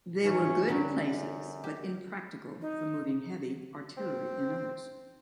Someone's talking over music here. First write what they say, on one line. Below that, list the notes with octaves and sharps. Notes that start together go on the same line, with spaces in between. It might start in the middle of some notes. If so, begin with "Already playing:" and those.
They were good in places but impractical for moving heavy artillery in others.
E3 F3 C#4 D#4
D3 F#3 G3 C#4
F#2
G4
D#4
C4